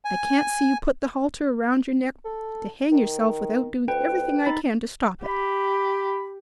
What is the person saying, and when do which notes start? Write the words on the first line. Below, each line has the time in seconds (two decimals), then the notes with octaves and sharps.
I can't see you put the halter around your neck to hang yourself without doing everything I can to stop it.
0.05 G#5
2.25 A4
2.92 D#3
3.88 D2 B4 G5
4.46 D#4 B5 A6
5.24 G4 B5